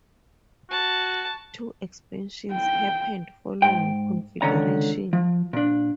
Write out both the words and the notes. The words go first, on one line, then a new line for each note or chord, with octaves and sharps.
Two expansions happened following Confederation.
F#4 A5
G5
G#2 G5
C#2 D3 D#3 C#4 A#5
F3
A#2 D4